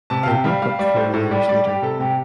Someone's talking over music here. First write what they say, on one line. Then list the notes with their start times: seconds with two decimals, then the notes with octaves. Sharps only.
They broke up four years later.
0.10 C3 A5
0.23 F5
0.27 C3 G5
0.44 G3 F5
0.62 G3 F5
0.79 G3 D5
0.96 A2 C5
1.14 A2
1.31 G3 D5
1.48 G3 D5
1.65 G3 G4
1.82 C3 A4
2.00 C3 G4